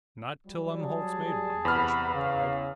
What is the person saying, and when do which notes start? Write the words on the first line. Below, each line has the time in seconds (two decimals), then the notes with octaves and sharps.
"Not till Umholtz made one," Gresham replied.
0.47 F#3 G3
0.81 G#4 A5
1.65 E2 C3 F#5 B5 F6
2.14 C#3 F5